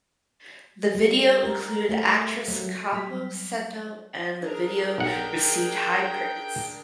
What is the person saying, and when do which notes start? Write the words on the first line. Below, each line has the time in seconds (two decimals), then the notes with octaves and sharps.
The video included actress Kaho Seto and the video received high praise.
0.95 G3
1.43 A#4
1.89 A3
2.48 F#3
2.92 F#3 G3 F6 B6
4.39 D4 G#4 A#4
4.98 B1 F#5 G5